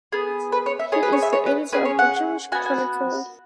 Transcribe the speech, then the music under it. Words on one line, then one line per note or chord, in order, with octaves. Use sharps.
He is the editor of "The Jewish Chronicle".
B3 G#4
B4
C#5
E5
B3 G#4 C#5
B4
C#5
E5
C#5
B4
C#4 G#4 B4
C#5
F#5
B3 F#4 G#5
G#5